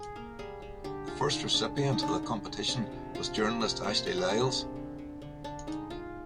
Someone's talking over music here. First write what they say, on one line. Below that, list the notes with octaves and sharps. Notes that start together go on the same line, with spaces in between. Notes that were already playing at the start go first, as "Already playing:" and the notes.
The first recipient of the competition was journalist Ashley Lyles.
Already playing: G#4
A#3 A#4
G3 G#4
G3
D3 G4
G#3 F4
D3 D#4
G#3 D4
D3 D4
D#4
D3 D4
D#4
D3
G#3
C3 D4
F3
F3 F4
F3 G4
C3 A#4
A#3 C5
C3 A#4
G4
A#3 D4
C4
G#3
D3
D3
D3
D3 D4
G#3 D#4
G#3 F4